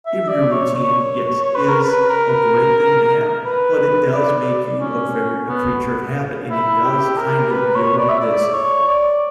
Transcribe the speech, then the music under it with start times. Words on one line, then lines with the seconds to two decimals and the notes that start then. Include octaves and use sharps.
In your routine, yes, is a great thing to have, but it does make you a ver a creature of habit, and it does kind of build this
0.06 E5
0.28 D5
0.51 C#5
0.74 C#5
1.41 C#5
1.55 B4
1.68 A#4
1.83 B4
2.10 A#4
3.45 B4
4.13 D5
4.35 D5
4.81 C#4
5.48 B3
6.50 E4
6.84 G4
7.17 A#4
7.51 B4
7.75 C#5
7.97 D5
8.09 E5
8.20 D5
8.53 C#5
8.87 D5